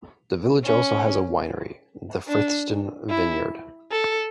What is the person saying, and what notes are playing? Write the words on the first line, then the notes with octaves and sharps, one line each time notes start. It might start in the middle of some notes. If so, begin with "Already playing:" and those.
The village has also a winery, the Frithsden Vineyard.
C#4
D4
E4
A4